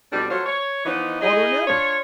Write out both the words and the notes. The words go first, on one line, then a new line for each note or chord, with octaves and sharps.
"I don't know."
F2 B2 G3 D4
F#3 A3 F4 C5 C#5
C#5
E3 F3 B3 D#4
D#4 E4 G#4 D#5
D4 F4 C#5